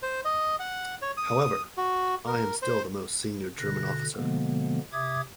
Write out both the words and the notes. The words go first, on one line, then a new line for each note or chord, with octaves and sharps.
However, I am still the most senior German officer.
C5
D#5
F#5
C#5
D#6
F#4
A#4
C5
B2 D3 F#6 A#6
B2 D3 F3 G#3 A#3 B3
C3 E5 D6 D#6 G#6